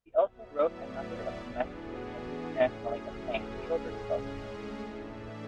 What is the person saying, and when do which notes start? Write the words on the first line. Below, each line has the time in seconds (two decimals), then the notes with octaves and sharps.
He also wrote a number of domestically and internationally acclaimed children's books.
0.25 A2 F#3 B3 E5
0.53 D5
1.11 E4
1.38 A2 E3 B3 D4 G#4
1.68 F#4
2.23 F#4
2.52 A2 F#3 A3 C#4 G#4
3.09 B4
3.38 A4
3.66 A2 G#3 C#4 G#4
4.24 G#4
4.52 A4
4.80 A2 E3 A3 D4 E5
5.09 D5